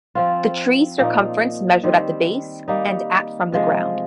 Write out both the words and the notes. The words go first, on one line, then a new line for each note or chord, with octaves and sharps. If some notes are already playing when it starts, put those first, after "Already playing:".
The tree's circumference measured at the base and at from the ground.
F3 C4 F4
A#2 F3 A#3 D#4
D#3 G3 C4
G3 A#3 D#4
C3 F3 G#3